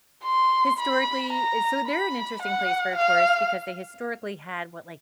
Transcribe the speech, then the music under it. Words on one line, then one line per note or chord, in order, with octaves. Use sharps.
historically So they're an interesting place for a tourist because they historically had, what, like,
C6
B5
A#5
B5
F#5
F5